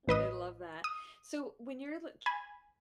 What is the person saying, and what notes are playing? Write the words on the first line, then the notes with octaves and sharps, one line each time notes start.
I love that. So when you're, like,
A1 B4 D#5 D#6
D#6
G#5 B5